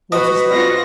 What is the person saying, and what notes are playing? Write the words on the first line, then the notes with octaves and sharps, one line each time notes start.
What is left?
F#4 B4 D#5
C4 F4 F#4 A#6